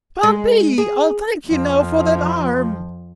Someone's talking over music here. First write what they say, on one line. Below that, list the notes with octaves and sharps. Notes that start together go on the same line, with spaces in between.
Pompey, I'll thank you now for that arm.
G#3
G#4
F2 F3